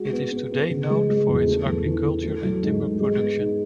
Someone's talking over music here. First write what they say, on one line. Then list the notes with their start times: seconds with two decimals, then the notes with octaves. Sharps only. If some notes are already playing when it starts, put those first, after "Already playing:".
It is today known for its agriculture and timber production.
Already playing: G#3 F#4
0.12 B3
0.31 B3
0.51 B3
0.70 C#3
0.89 G#3
1.09 G#3
1.28 E2
1.46 A3
1.66 E2
1.85 E3
2.04 E3
2.23 A3
2.43 F#3
2.62 G#2
2.80 G#2
3.00 G#3
3.19 B3
3.38 D#4